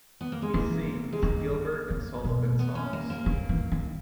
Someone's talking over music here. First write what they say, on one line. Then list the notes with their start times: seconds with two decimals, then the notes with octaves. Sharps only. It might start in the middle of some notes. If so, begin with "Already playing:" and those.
He sings Gilbert and Sullivan songs.
0.21 B3
0.32 A#3
0.42 G#3
0.53 E3 A#3
1.13 G#3
1.22 D#3 A#3
1.90 C#3
2.24 B2
2.59 B3
2.75 C#4
2.93 A#3
3.10 A#3
3.26 C#3
3.49 E3
3.72 D#3